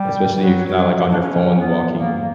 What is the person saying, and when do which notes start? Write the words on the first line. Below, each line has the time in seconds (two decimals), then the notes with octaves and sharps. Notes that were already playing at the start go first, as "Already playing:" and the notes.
Especially if you're not, like, on your phone and walking,
Already playing: G3
0.35 G3
0.40 F#3
0.67 F#3
1.10 D4
1.20 C#4
1.59 B3
1.98 A#3